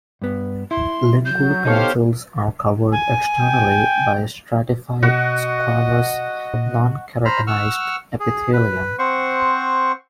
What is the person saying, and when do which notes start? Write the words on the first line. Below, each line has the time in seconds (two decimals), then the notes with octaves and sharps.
Lingual tonsils are covered externally by stratified squamous nonkeratinized epithelium.
0.22 G2 B3
0.71 E4 C6
1.26 F#3 G6
1.65 B3 D#4 G4 A4 C5 C#5 F5
2.92 G#5
3.38 G5
5.03 B2 F#4 D#5 F#5
6.54 A#2
7.25 C5 A#5 B5 F6
7.47 F#5 C#6 E6 F6
8.20 G#4
8.53 B4
8.99 C4 C5 F#5 C#6